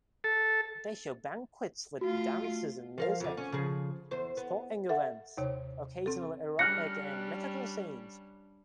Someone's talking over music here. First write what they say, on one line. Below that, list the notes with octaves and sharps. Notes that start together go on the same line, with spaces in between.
They show banquets with dances and music, sporting events, occasional erotic and mythical scenes.
A4
A3 F4 F#4
F3 A#4 F5
F2 D3
C#4
C#3 F3 G#4
E2 C5
B3
A4 E5 F#5
D#2 C3 C#5
C4 A4
G3 C#4 D4 F6 F#6 A#6 C#7